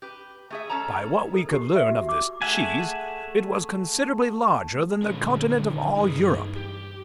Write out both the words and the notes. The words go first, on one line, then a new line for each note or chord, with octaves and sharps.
By what we could learn of this CHEESE, it was considerably larger than the continent of all Europe!
G4 B4
A3 G#4 E5
C#4 A4 C#5 A5 A#5
A4
G4
E5
F#4
D6
A3 G#4 E5 F#5 G#5
A#2 D3 G#3 C#4 B4
C3 D#3
G2 E3 D#4 G#4 B4
G4